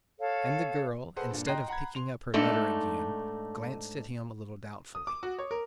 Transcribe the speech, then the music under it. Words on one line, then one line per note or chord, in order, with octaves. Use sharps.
And the girl, instead of picking up her letter again, glanced at him a little doubtfully.
A4 C#5 F5
G#4 A4 B4 C5 F#5
G2 A#2
D#5 G5 A#5 C6 F#6 C7
F#5 A#5 B5 G#6
C6 F7
G#2 A3 D4 D#4
D#6
D6
F#4
C#5
A#4